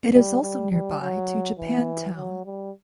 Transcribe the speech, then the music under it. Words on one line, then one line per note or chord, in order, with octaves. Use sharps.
It is also nearby to Japantown.
G3
G3
G3
F#3
E3
F#3
G3